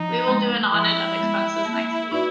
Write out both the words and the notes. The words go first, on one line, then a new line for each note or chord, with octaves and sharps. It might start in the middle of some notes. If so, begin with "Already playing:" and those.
We will do an audit of expenses next week.
Already playing: F3 D#4
G#3 B3
F3 E4
G#3 B3
A#3
D#4 F#4 B4 D5